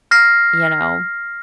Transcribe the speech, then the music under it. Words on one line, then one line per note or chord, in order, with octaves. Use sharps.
You know?
F6 A#6 C7